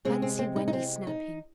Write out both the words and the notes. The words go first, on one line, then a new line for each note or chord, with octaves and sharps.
Fancy Wendy snapping.
C3 G#3 C4
C4
C4
D#4
D#4
C4
D#4